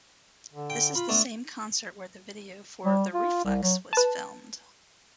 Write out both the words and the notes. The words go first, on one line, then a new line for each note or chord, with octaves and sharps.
This is the same concert where the video for "The Reflex" was filmed.
D3
G5
F4 B5
A3 B3 D4
G3
F4
C2
F#3
B4 A5